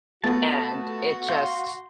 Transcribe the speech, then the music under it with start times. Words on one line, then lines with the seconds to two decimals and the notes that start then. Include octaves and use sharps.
and it just
0.24 A3 B3 F4 F#4 A5
1.29 F5 C6 G6